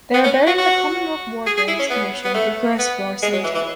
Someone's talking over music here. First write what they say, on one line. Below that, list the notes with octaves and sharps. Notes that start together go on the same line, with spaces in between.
They are buried at the Commonwealth War Graves Commission Bucharest War Cemetery.
B3
C#4
F#4
F#4
G#4
G#4
E4
C#4
B3
B3
A3
B3
G#3
F#3
E3
E3